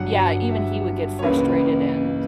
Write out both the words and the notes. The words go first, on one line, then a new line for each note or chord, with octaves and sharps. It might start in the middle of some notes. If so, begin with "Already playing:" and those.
yeah, even he would get frustrated and
Already playing: G1 G2 F#3 F#5
F#5
E5
C#5
C#2 C#3 E3 A#3 B4